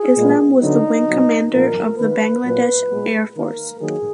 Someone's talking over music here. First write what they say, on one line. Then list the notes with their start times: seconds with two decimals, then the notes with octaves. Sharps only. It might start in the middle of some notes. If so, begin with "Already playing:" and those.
Islam was the Wing Commander of the Bangladesh Air Force.
Already playing: G#4
0.17 A#2 G#3 B3
0.62 D3 F#3 B3 D#4
1.08 B2 F#3 B3
1.53 A#2 F3 B3 A#4
1.98 D#3 A#3 B4
2.44 A#2 F#3 B3
2.90 A#2 G#3 B3
3.35 D#3 A#3 A#4
3.80 D#3 F#3 A#3 G#4